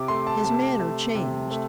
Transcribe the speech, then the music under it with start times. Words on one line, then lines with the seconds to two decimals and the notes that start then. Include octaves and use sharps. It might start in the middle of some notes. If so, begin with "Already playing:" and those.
His manner changed.
Already playing: C3 D6
0.08 A3 C6
0.27 A5
0.45 C3 A5
0.80 A3
1.15 C3
1.51 A3